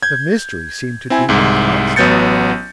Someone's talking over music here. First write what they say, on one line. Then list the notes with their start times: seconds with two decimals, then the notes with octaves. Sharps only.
The mystery seemed to deepen constantly.
0.03 G6 G#6
1.10 C4 E4 G#5
1.29 C2 G#2
1.96 A1 F#3 B3 G6 A6 C#7